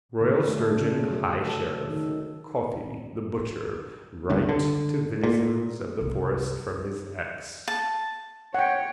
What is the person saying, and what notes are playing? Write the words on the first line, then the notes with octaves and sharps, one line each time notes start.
Royal sturgeon high sheriff, Coffey, the butcher, right to venisons of the forest from his ex.
D3
A3
C#3
F#3
A4
D#3
F#1 C#2 G2
D3
A#2
C2
A5
C#5 F#5 G5